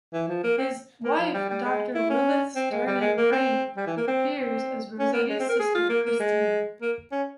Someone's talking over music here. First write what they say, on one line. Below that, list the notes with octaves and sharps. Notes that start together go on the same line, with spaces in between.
His wife Doctor Lilith Sternin-Crane appears as Rosetti's sister, Christine.
E3
F3
A#3
C4
A#3
F3
G3
G3
G#3
E4
C#4
C4
G#3
G3
G#3
A#3
C4
G3
E3
A#3
C4
C4
C#4
A#3
G#3
C4
A#4
G#4
F4
A#3
A#3
G#3
A#3
C#4